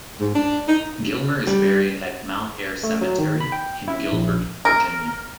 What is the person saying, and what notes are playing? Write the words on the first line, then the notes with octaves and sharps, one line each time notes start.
Gilmer is buried at Mount Air Cemetery in Gilbert, Virginia.
G#2
D4
D#4
G3
A3
F#3
D#3
B5
G5
E4
A#1
A#4